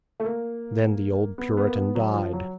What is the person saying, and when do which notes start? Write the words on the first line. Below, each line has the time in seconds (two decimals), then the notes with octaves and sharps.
Then the old Puritan died.
0.20 A3
0.24 A#3
1.38 B3
1.57 B3
1.67 A#3
1.76 B3
1.95 F#3
2.14 F3
2.33 F#3